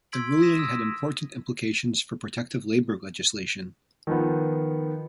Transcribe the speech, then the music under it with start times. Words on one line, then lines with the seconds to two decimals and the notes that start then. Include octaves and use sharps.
The ruling had important implications for protective labor legislation.
0.12 C6 E6 G#6 B6 D7 F#7
0.42 D#6 A#6 B6 D#7 E7
0.59 D#6 E6
4.07 D#3 F3 B3